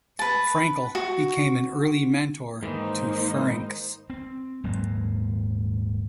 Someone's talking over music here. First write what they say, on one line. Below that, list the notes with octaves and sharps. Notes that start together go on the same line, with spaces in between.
Frankel became an early mentor to Ferencz.
B4 A5
F#4
G#2 D#3 E3 A#3 D#4 C5
C4
D#1 G#2 F#3 A#3